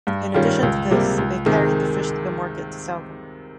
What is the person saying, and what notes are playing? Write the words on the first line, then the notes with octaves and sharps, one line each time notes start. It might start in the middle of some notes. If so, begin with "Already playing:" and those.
In addition to this, they carried the fish to the market to sell them.
G2
D#3 G3 C#4 F4
C#2
C3 G3 A#3
C#2
C3 D#3 G#3